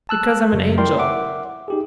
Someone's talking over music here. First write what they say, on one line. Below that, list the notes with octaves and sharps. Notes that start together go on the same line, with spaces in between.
"Because I'm an angel."
A5 E6 F#6
F#2 C#3 F#3
E4 A#4 D5 G5 C6
E5 F#5 D6
D#4 G4 G#4